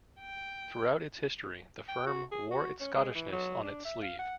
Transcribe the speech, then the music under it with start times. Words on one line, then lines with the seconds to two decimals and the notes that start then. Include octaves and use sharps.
Through its history, the firm wore its Scottishness on its sleeve.
0.20 G5
1.88 G5
2.07 F#4
2.32 G#4
2.51 F#4
2.80 C#4
2.94 G#3
3.14 E3
3.32 F#3
3.63 D4
3.85 E5
4.02 F5
4.19 F#5